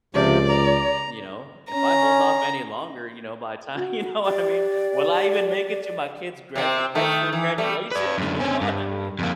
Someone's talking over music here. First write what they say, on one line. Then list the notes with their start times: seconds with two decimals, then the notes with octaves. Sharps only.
you know? If I hold off any longer, you know, by the time I you know what I mean? Will I even make it to my kid's gradu high school graduation? You know what I mean?
0.15 C#2 C3 F3 D5
0.49 A#5
1.73 C#4 A#5
3.77 F#4
4.26 G4 D5
6.56 C3 C4
6.95 D#3 A3
7.33 E3
7.58 G3 A3
7.92 B4 D5
8.18 F#2 D3
8.40 C4 C#4
8.61 G2
9.19 F2 A#3